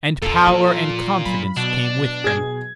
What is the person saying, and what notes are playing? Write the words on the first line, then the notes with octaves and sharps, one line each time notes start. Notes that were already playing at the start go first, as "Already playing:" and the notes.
And power and confidence came with them.
D#2 A#2 A4
F3 F4
F#3 B5
B2 D4
G#4 G#6